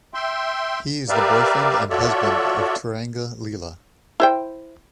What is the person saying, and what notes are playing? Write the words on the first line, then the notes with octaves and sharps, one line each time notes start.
He is the boyfriend and husband of Turanga Leela.
E5 G5 C6
G4 A#4 B4 D5 E5 F5
F4 F#4 A4 C#5 D5 E5
E4 C5 G5